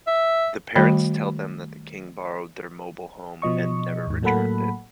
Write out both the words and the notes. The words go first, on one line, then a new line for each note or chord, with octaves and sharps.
The parents tell them that King borrowed their mobile home, and never returned it.
E5
D#3 G3 A3 F#4 G5 B5
B2 F3 D#5 C#6
D#2 G#2
A2 F#3 A#3 A4 F#5 B5